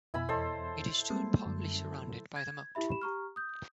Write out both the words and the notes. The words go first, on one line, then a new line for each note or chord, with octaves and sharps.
It is still partly surrounded by the moat.
F2 B2 E4 G#5 B5
E2 A4 C5 C#5 D#5
G3 G#3 A#3 C4
F#2 D3 F#3
G#6
E4 G4 E5 B5
G4 B5 E7
G4 A#5 C#6 F6
D#6 G6